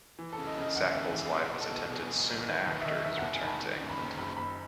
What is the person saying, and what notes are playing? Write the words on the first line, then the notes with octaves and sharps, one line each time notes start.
Sackville's life was attempted soon after his return to England.
E3
A4
C#3
D#5
C#3 D#5
D#2 F#5
D#2 E5
B4
E3
G#4
B1 B4
B1
A4
B2
B2 G#4
B1
B1
D#3 B4
D#2 B4
E5
D#3 D#5
D#3 E5
D#2 F#5
G#5
D#3 B5
A5
D#3
F#2
B5
F#1
F#2 B5
F#1 B5